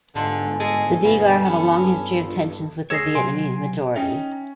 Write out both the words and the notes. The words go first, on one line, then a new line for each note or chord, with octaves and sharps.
The Degar have a long history of tensions with the Vietnamese majority.
G1 G#2 D3 D4 D#4 F4 G#5
G#3 G#4 A4 A5
G2 B2 D#4 F5 B5
B3 C#4 A4 B5
A#1 E2 F4
D2 G#4 C#5 E6 G#6 A#6 C7 E7
C3 F#3 G#5 C6 D7
C#4 D#4 E5 G5